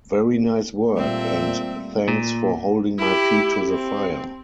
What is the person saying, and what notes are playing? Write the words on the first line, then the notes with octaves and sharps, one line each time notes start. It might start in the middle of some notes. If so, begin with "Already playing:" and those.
Very nice work, and thanks for holding my feet to the fire.
A#2 G3 A3 A#3 C4 E5
A#2
E4 G4
C4